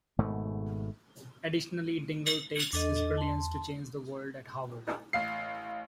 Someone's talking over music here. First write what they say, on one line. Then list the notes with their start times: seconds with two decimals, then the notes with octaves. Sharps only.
Additionally, Dingle takes his brilliance to change the world at Harvard.
0.19 G#1 G#2 B2 A3
2.73 E2 D4 A4 D#5
3.17 A5 C6
5.13 A1 F5 C7